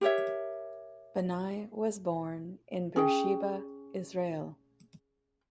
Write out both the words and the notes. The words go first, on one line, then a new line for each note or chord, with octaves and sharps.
Banai was born in Beersheba, Israel.
G4 A#4 C#5 E5
C#4 G#4 G5